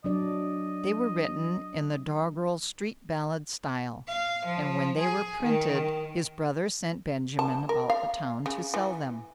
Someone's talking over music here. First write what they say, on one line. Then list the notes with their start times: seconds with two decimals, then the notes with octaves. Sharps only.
They were written in the doggerel street-ballad style, and when they were printed, his brother sent Benjamin about the town to sell them.
0.04 F#3 D4 D5 D#5
4.08 F5
4.45 F3
4.99 G#4
5.43 D#3
5.72 D#3
7.39 A5
7.69 A#4
7.90 F5
8.46 C#3
8.74 E3